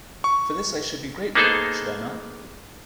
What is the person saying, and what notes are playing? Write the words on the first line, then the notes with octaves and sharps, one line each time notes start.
For this I should be grateful, should I not?
C#6
A#3 B3 D#4 G#4 A4 C5